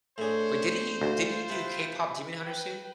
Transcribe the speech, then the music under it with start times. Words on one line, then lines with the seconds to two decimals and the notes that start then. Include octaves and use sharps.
But didn't he didn't he do KPop Demon Hunters too?
0.18 A2 D4 G#4 C5 C#5
1.02 D2 F4
1.50 C3 B4
2.42 B4 G5